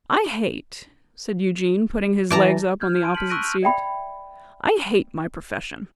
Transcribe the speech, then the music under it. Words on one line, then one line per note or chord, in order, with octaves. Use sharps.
'I hate,' said Eugene, putting his legs up on the opposite seat, 'I hate my profession.'
E3 D5 A5 A#5
F6 G6 G#6
A5 C6 D7 D#7
F6 B6 C#7 F#7
C#6 E6 F#6 A#6 D7 D#7
F6 G6 F7
D5 E5 G5 B5